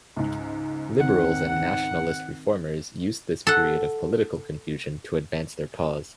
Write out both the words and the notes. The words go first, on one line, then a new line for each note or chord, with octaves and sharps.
Liberals and nationalist reformers used this period of political confusion to advance their cause.
C#2 G#2
D#3 C4 F#5
A4 F#5